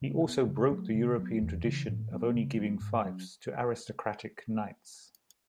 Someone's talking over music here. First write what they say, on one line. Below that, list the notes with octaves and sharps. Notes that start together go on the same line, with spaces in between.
He also broke the European tradition of only giving fiefs to aristocratic knights.
C#3
G#3
B3
C#3
F#3 A3
C#3
F#3 B3
E2
C#3 E3
A2
F#3 B3
C#3
F#3 B3
G#2
F#3 C#4